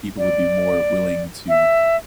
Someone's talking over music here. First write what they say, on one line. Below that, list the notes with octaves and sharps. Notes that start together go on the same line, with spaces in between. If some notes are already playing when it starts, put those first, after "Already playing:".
people would be more willing to,
D5
E5